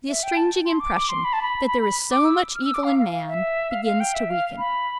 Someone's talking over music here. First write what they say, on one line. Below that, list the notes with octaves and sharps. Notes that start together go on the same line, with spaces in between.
The estranging impression that there is so much evil in man, begins to weaken.
E5
G5
A5
C6
D6
D6
C6
B5
A5
B5
B5
B5
D6
E6
F6
E6
D6
F5
F5
F5
E5
F5
F5
G5
E5
F5
B5